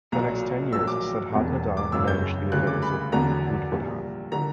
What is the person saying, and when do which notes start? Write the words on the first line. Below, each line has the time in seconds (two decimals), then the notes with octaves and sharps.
For the next ten years Shuddhananda managed the affairs of Udbodhan.
0.12 B1 A#2 F#3 A#5
0.73 A#1 A#2 F#3 E6
0.88 D6
1.32 E1 E2 B2 G3
1.77 D6
1.92 F#1 F#2 C#3 E6
2.08 G6
2.52 D2 C#3 G3 F#6
2.67 D6
2.82 B5
3.12 E2 D3 F#3 A#5
3.72 A#1 A#2 G3
4.32 D3 G3 A#5